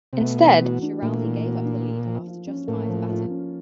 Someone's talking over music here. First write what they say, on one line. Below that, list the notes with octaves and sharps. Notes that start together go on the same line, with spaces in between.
Instead, Schiraldi gave up the lead after just five batters.
C3
B2 A3
E3
F#4
D4
A#2 A3
E3
F#4
D4
A#3
F3
F4
C#4
A2 A#3
F3
F4
C#4